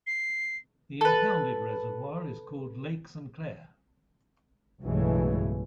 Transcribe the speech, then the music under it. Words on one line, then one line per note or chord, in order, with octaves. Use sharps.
The impounded reservoir is called Lake Saint Clair.
C7
A4 B4
B1 G2 C#3 E3 G#3 A3